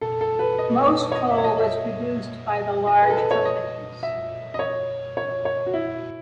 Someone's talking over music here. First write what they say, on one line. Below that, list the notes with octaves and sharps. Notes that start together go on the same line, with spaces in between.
Most coal was produced by the large companies.
A4
A4
B4
D#5
C#5
D#5
E5
C#5
D#5
E5
D#5
B4
A4
B4
C#5
D#5
E5
D#5
C#5
C#5
C#5
F#4
E4